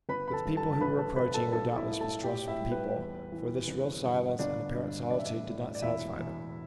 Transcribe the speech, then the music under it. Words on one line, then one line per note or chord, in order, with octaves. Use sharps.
But the people who were approaching were doubtless mistrustful people, for this real silence and apparent solitude did not satisfy them.
G1 B4 B5
B5
A4 A5
G2
A4 A5
A5
A1 B4 B5
A4 A5
G2 B4 B5
A4 A5
B1 A4 A5
E4 E5
A2
A4 A5
A2 G4 G5
E4 E5
G3
B4
E2
E3
G1
G2
G1 D4 D5
G2
A1 D5
E5
D4 D5
A2
D5
E1 E4 E5
E2